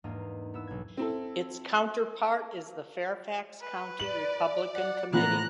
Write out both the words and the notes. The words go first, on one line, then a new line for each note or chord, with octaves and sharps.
Its counterpart is the Fairfax County Republican Committee.
E2 G#2 A#3 D4 D#5 F5
B3 E4 E6
B1 G#6
C4 E4 A4
B4
D5 F#7
F#5
A2 E3 F3 B3 A#5 F#6